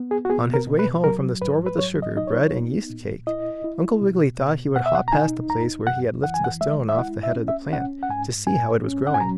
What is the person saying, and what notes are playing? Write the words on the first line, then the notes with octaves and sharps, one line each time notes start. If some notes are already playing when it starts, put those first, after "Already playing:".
On his way home from the store with the sugar, bread and yeast cake, Uncle Wiggily thought he would hop past the place where he had lifted the stone off the head of the plant, to see how it was growing.
Already playing: B3
G#4
F#4
B3 G#4
A#4
B2
B4
F#3 A#4
G#2 B4
B4
F#3 C#5
D#5
D#4 D#5
C#5
B3
A#2
E4 D#5
E4
B2
B2
B2 F#5
E5
F#5
A#5
D#4 G#5
F#2 A#5
F#2 F#5
E3 F#5
G#5
F#5
G#3 E5
E5
E4 F#5
E5
C#4
E5
C#4 F#5
F#5
G#2 G#5
G#2 G#5
C#4
F#5
G#5
F#3 A#5